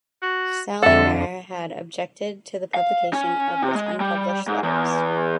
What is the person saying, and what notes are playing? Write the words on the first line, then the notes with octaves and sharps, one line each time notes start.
Salinger had objected to the publication of his unpublished letters.
F#4
F2 D3 A4 E5 F#5
F5
C#4
C3
G#3
G3
G#2
E2